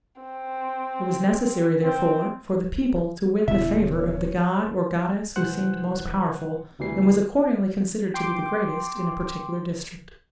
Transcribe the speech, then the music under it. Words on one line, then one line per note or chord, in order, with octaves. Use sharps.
It was necessary, therefore, for the people to win the favour of the god or goddess who seemed most powerful, and was accordingly considered to be the greatest in a particular district.
C4
C4
D1 B2 D3 E4 E5
C#5
C2 E3 C5 F#5 F#6
D2 C3 E3 G3 C7
G5 C6 D6